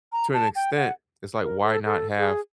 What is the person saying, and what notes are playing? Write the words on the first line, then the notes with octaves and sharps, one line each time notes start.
to an extent, it's like, why not have
A#5
A5
G5
F#5
A#4
A4
A4
G#4